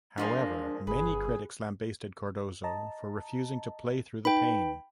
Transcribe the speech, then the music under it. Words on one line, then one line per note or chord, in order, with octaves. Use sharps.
However, many critics lambasted Cardozo for refusing to play through the pain.
F3 G#3 A#3 D4
G1 G#4 B4
D#5 A5 A#5
D#4 B4 G5 B5